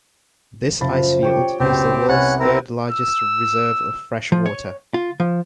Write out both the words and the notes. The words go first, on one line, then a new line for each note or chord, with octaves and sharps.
This ice field is the world's third largest reserve of fresh water.
F#1 F3 B5 A6
G4 C#5 G5
C#2 F#2 B3 C4 G4 G6
C2 C#4 B4 F#5 A6
C4 E4 A#4
E6
F3
C#5
F4
F3